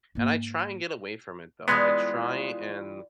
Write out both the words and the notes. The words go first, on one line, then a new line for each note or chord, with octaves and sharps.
and I try and get away from it though, I try and
G#2 A#3
E3 G3 G#3 B3 F4